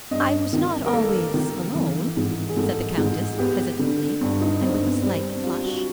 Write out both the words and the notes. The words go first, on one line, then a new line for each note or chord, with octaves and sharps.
"I was not always alone," said the Countess, hesitatingly, and with a slight flush.
G2 D#5
D#3
A#4
A#3 A4
D#3
E3
G#2
G#4
G#2 A4
G#2
B3 G4
D3
G2
D#4
G2 C4
B3
G3 C4
C4
G3 F4
F#4